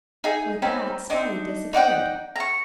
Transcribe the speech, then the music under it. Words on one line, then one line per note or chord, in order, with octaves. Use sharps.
With that Spotty disappeared.
D#4 G#4
C4 C#4 D#4 B4
D4 D#4
D#4 D5 F#5 G5
A#5 C#6